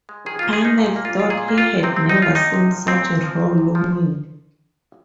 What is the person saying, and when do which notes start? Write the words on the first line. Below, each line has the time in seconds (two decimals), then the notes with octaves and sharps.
Pennell thought he had never seen such raw longing.
0.09 G#3
0.26 D#3 G#4
0.39 A#3 F4
0.53 G#4
0.61 A#3 D#4
0.78 A#2
0.96 A#3
1.05 F4
1.13 A#3
1.20 F4
1.30 A#2 G#4
1.48 A#3
1.58 F4
1.65 A#3
1.83 C3 C4
1.96 C4
2.01 G#3
2.09 D#4
2.19 G#3 F4
2.35 C3 D#4
2.54 C3
2.71 F3
2.88 A#2 C4
3.06 A#2
3.23 F3
3.40 C3
3.58 C3
3.75 F3